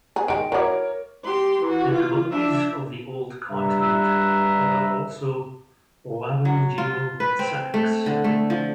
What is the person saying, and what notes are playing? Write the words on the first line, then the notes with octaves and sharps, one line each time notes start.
In the monkeys of the old continent there are also laryngeal sacs.
G#4
D#3 G#3 D7
F#3 E4 A#4 C#5 D6
G4 C6
E3 F#4
F4
D4 E5
G2 B4 E5 A#5
F#3
F4
B4
C4
A3
D3
A3
F3